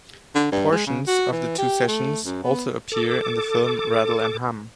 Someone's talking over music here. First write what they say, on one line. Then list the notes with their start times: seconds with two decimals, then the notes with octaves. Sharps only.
Portions of the two sessions also appear in the film "Rattle and Hum".
0.35 D3
0.52 G2
0.72 G#3
0.87 C#3
1.08 F#4
1.32 E3
1.58 G4
1.88 A3
2.25 F#2
2.44 B3
2.92 A4 D6